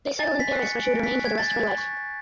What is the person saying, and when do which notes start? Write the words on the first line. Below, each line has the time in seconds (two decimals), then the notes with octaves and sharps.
They settled in Paris where she would remain for the rest of her life.
0.19 G#5 A6
0.40 B6
0.51 C#6 F#6
0.62 C#7
0.83 G#5 D7
1.04 B6
1.14 C#6 F#6
1.25 G#6
1.38 A6
1.47 G#5 G#6
1.78 C#6 F#6